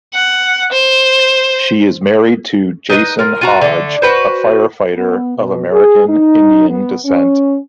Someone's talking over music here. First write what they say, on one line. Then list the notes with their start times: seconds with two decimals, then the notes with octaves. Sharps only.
She is married to Jason Hodge, a firefighter of American Indian descent.
0.14 F#5
0.72 C5
2.89 D#4 B4 D5 D#5
3.19 F4 A#4
3.41 F4 F#4 A#5
3.61 D3 A3
4.02 F#4 B4 C5
4.95 B3
5.38 B2
5.71 G#4
6.09 D#4
6.69 B3
7.05 C#4